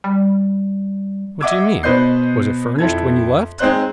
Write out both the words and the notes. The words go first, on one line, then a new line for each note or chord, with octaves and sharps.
'What do you mean?--was it furnished when you left?'
G3
D#5 E5 F#5 D6 E6 G#6
B2 B4 C5 D#5 G6 C7
F2 E4 A4 G#6
G#3 C4 D#4 C5 F#6